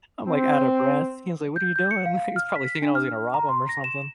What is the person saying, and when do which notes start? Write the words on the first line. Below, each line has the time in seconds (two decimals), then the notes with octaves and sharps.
I'm like, out of breath. He was like, "What are you doing?" Like, he was probably thinking I was gonna rob him or something.
0.28 C4
1.56 G6
1.76 G6
1.91 C#7
2.06 F5
2.36 F6
2.56 B6
2.82 D4
2.95 F6
3.34 A#5
3.49 C6
3.69 A#6
3.84 E7